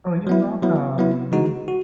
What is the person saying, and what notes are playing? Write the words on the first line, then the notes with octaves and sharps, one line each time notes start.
Oh, you're welcome.
F#3 B3 E4
F#3 B3 E4
F#3 B3 E4
E3 G#3 D#4 F#4
F#4